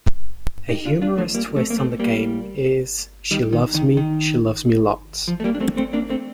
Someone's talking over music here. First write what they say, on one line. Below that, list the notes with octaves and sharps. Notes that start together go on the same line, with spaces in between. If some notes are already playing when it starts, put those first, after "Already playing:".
A humorous twist on the game is She loves me, she loves me lots.
D#4 G4
D4 F4
D4 F4
F3 A3
G3 A#3
A3 C4
A#3
A3 C4
G3 A#3
D#3 G3
D#3
D#3
D#3
F3
A3
G3 A#3
D4
A3 C4
A3 C4
A#3 D4
A3 C4